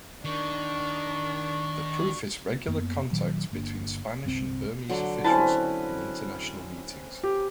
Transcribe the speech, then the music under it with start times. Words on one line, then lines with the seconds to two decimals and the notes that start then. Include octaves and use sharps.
The proof is regular contacts between Spanish and Burmese officials in international meetings.
0.25 D#3 D4 C#6
2.67 F#2 A#3 B3
3.11 A#2 D#3 F#3
3.51 G1 A#3 D4
4.24 G1 C2 B2 C4
4.90 D3 F#3
5.24 C4 C#4 E4 B4 A5
7.23 G4